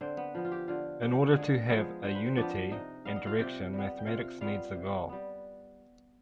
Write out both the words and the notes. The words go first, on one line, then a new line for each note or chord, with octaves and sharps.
In order to have a unity and direction mathematics needs a goal.
D3 C4 C5
B3 B4
F3 B3
F4
G4
D3 F4
F3 B3 G4
D3 G#3 G#4
F3 G#3 B3 G#4
D3 C5
B4
C4 C5
F3 B3 D4 D5
C3 D#4 D#5
G3 B3 F5
D#5
F4 F5
C3 G4 G5
G3 B3
G5
C3 F4 F5
G3 B3 F4 F5
C3
G3 B3